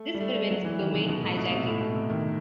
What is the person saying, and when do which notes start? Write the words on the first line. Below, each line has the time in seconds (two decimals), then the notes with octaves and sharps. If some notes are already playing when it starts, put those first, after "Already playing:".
This prevents Domain hijacking.
Already playing: A3
0.14 G3
0.21 A3
0.35 G3
0.51 F#3
0.64 E3
0.79 D#3
0.94 C3
1.08 B2
1.23 A2
1.37 B2
1.52 C3
1.67 A2
1.81 B2
1.95 C3
2.10 D#3